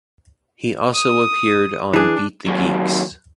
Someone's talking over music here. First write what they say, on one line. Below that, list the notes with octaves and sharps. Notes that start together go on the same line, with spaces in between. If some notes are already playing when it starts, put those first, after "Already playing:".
He also appeared on "Beat the Geeks".
D#6
E3 D4 G#4
D#2 F#3